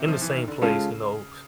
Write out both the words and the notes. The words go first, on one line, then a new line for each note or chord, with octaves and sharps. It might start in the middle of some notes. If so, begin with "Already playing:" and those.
in the same place, you know
Already playing: C3
F3
E3
D#3
D3
C#3 G#3 C#4 F4 A4